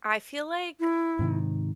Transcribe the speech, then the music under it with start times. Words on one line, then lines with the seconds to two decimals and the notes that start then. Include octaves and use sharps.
I feel like,
0.80 E4
1.19 G#2 C3 D#3